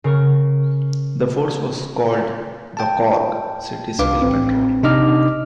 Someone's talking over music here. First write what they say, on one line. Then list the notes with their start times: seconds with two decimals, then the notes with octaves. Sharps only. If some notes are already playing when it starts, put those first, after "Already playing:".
The force was called the Cork City Civil Patrol.
0.04 C#3 A#4 C#6 F6
2.77 G5 A5
3.99 C2 D4 B4 F5 D6
4.22 A1 C4
4.83 C3 D4 D#4 D#5 D6 F6